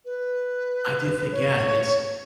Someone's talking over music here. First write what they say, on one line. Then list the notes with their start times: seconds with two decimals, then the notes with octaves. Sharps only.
I do think yeah, it's
0.05 B4
1.32 C#5